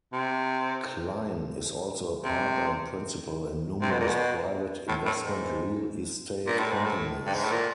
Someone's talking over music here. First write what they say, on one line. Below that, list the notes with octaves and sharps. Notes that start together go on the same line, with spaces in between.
Klein is also a partner and principal in numerous private investment real estate companies.
C3
C3
C3
B2
A#2
B2
A2
A2
G#2
A#2
A2
G#2
A2
G2
G#2
A2
A#2